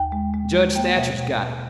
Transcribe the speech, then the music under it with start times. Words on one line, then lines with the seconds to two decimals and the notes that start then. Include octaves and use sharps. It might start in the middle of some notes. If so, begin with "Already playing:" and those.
Judge Thatcher's got it.
Already playing: D#2 G5
0.12 G#3
0.34 G#3
0.54 G#3
0.75 A#3 G5
0.96 B2 E5
1.18 B2
1.38 B2